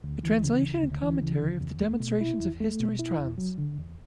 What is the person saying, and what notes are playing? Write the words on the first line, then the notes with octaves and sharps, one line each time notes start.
A Translation and Commentary of the Demonstrations of Histories, trans.
D2
E3
C#3
D2
D2
E3
C#3
D2
E2
A3
B2
E4
E2
A3
B2
E4
E2
F#3
D3
E2